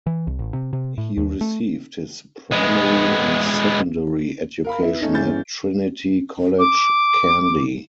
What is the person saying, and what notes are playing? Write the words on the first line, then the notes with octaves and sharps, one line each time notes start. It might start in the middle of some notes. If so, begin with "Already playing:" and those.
He received his primary and secondary education at Trinity College, Kandy.
E3
C2
A1
C3
C3
A2
D#2
A3
G#3 B3
A#4 F5 B5
B3 E4
A3 C#4 D#4
G1 E3 C#4 G#4 G6 A6
D6